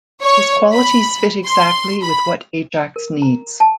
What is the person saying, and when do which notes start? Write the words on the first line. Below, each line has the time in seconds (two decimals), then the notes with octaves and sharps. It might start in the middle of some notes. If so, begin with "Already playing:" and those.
His qualities fit exactly with what Ajax needs.
0.22 C#5
0.72 B5
1.45 C6
2.02 B5
2.96 A#4
3.22 A#5
3.60 A5